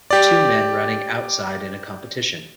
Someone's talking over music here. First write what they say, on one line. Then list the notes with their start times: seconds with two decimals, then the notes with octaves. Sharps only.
Two men running outside in a competition.
0.11 G4 D5